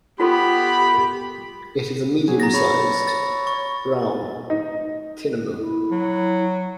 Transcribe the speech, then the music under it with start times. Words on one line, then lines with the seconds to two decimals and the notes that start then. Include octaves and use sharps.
It is a medium-sized, brown tinamou.
0.20 B3 F4 G4 A4 B5 C6
2.28 F#3 G#4
2.40 A#5 A6 A#6
2.54 C#5 B5 A6
3.08 A6
3.47 C#6
4.50 D#4
5.58 E4
5.91 F#3